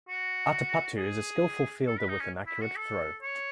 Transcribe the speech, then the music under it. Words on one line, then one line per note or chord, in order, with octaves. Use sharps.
Atapattu is a skilful fielder with an accurate throw.
F#4
G#4
A4
B4
D#4
C#4
E4
F#4
A4
C#5